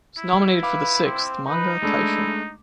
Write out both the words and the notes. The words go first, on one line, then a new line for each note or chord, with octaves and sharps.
It was nominated for the sixth "Manga Taisho".
E4
B4 F5 D6
C4
D#4 B4
G#3 A3 D4 E4